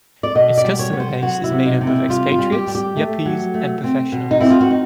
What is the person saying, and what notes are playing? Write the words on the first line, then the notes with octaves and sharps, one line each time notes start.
Its customer base is made up of expatriates, yuppies and professionals.
D5
B2 D#5
D5
G3
C#5
B3
C5
F#3 F#4
E4
C3
D#4
C3
E4
G3 F4
F4
G3
G4
G3
G4
A3
F#3
A3
C4
B2
D#4
C4 E4
F4
F#4
D#4